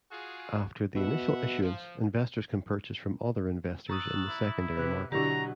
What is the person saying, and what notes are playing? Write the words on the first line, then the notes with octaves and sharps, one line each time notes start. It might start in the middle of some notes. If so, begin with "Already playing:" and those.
After the initial issuance, investors can purchase from other investors in the secondary market.
F4 F#4 G#4
B2 E5 F#5
F3
A#5 C#6 D#6 E6 F#6 A6
E4
C3 B4 F#6
B2 D3 F#3 D4 E4 G4 A#5 C#6